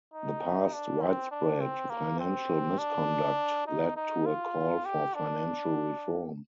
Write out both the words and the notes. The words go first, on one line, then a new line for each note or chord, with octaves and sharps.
The past widespread financial misconduct led to a call for financial reform.
D#4
D4
C4
D4
C4
A#3
C4
D4
D#4
D#4
F4
G4
D4